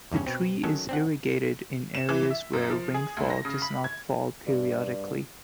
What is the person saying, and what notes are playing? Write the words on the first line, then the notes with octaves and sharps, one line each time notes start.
The tree is irrigated in areas where rainfall does not fall periodically.
E2 G2 C#3 C#4
B2 C4
D#3 F#3 C#4 A4
C4 D4 F#5
E7
E3
E5
F#2
F3
G#4
D2
A#6
C#3
B5
G#6
G2